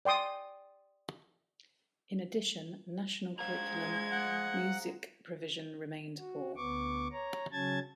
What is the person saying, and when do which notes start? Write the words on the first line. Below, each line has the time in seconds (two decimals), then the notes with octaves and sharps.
In addition, National Curriculum music provision remained poor.
0.05 D5 G5 C6 D#6
3.39 G#3 C5 F5 A#5 G#6
4.12 F#5
6.18 F#4
6.56 D2 B3 C#6 D6
7.12 C#5 A#5
7.52 C#3 F#3 C#4 A5 G#6 A6